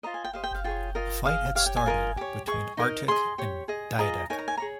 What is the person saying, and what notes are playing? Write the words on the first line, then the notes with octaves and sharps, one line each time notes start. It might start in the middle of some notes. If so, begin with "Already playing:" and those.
A fight had started between Artich and Diedek.
F4 C5 D#5 A#5
G#5
G5
G4 C5 D#5 F5
G5
F5
F4 G#4 C#5 G5
F4 A#4 D#5
G#4 D#5 F5
G4 C#5 F5
G5
G#5
F4 A#4 D#5
G4 C#5
G#4 D#5 C#6
D#4 A#4 D#5
G#4 D#5 C6
G4 C#5
G#4 D#5
F4 G#4 D#5 A#5
D#4 A#4 C#5 G#5
A#5
G#5
G#4 C#5 A#5